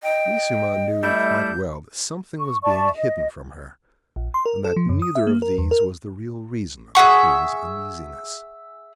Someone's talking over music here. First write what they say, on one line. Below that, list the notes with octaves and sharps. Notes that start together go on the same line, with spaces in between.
Bellissima knew quite well that something was being hidden from her--and that neither of these was the real reason of the Queen's uneasiness.
D#5 G5
G3 A3 E4 G6
C#6
D5 E5 A5 C#6
D#5
A#1
C6
A#4
A4
F3
F#2
D#6
E5
A#3
A#4
E2
A#4
G#4 E5 F#5 C#6